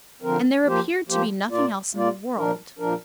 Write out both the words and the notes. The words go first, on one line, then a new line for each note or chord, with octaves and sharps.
And there appeared to be nothing else in the world.
D3 F3 C4 A#4
F3 A#3 G4 C5
F3 A#3 G4 C5
A#2 A#3 F4 D5
A#2 A#3 F4 D5
A#2 F3 D4 A#4
A#2 F3 D4 A#4